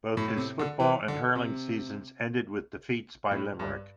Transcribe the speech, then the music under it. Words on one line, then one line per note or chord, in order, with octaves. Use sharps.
Both his football and hurling seasons ended with defeats by Limerick.
A2
A2
C3
D3
E3
D3
C3
A2
G2